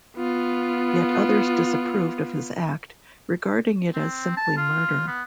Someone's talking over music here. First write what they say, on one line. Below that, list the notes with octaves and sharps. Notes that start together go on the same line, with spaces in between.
Yet others disapproved of his act, regarding it as simply murder.
B3 F4
C4
A5
F4
B3